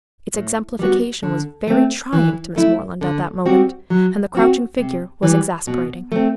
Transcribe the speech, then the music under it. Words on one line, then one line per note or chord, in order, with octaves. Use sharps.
Its exemplification was very trying to Miss Moreland at that moment, and the crouching figure was exasperating.
A2
G3 B3 F#4
D3
A3 C4
E3
A3 E4
D3
G3 C4 F#4
F#3
C4 F#4
C3
E3 G3
B2
A3 C4